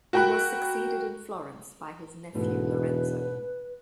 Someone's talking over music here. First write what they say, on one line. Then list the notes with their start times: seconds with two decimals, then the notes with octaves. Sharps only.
He was succeeded in Florence by his nephew Lorenzo.
0.13 F#4 A#4 G5 B5 F#6
2.34 E1 G#2 B2 A3 B4